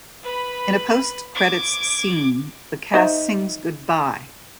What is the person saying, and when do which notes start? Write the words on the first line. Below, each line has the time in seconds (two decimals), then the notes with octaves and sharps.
In a post-credits scene, the cast sings Goodbye!
0.23 B4 B5
1.35 D6 G#6
2.94 D#4 C5 E5